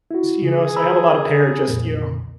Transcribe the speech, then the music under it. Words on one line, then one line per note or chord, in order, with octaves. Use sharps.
s you know, so I have a lot of pair just, you know,
E4 F#4
C#3 G#4
A#5 B5 E6
C2 F2 A#2